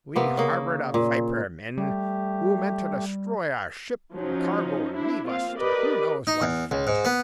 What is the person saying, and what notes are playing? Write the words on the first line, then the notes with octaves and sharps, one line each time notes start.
We harbored a viper, men, who meant to destroy our ship and cargo and leave us to who knows what fate?
C3 A#3 B3
C#3 A#3
A#2
G3 A3 G4
F3 F#3 C#4 D#4
D4 E4
A#3 C4 F4 F5
G4 A#4 B4 D5 D#5
D#4
E2
C#2
G#2
B3